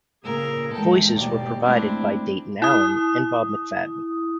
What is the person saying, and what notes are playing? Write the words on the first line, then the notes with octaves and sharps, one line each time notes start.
Voices were provided by Dayton Allen and Bob McFadden.
A#2 C#3 G#4 A#4 E6
E2 G#3 A4 G5
D#2 B2 G4 D5
G#3 A3 C4 D4 E4
E4 D#6